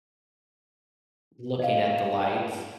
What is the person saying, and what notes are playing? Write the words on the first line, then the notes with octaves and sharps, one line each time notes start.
looking at the lights
D#5 F5